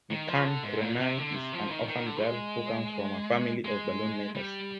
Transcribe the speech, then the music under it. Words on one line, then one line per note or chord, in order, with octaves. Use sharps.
Mikan Kurenai is an orphaned girl who comes from a family of balloon makers.
D#3
F3
D3
G#2
A#2
C3
D3
C3
F3
D#3
D#3
D3
G#3
G#3
G3